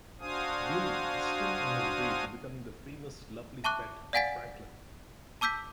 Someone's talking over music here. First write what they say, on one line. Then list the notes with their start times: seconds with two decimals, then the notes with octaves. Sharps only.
Blu is still on his way to becoming the famous lovely pet of Franklin.
0.20 D4 F#4 C5 F5 G#5 D#6
3.64 E5 A5 C#6 D6 F#6
4.13 D5 F5 F#5 G#5 A6 B6
5.41 A5 D6 E6 G6 B6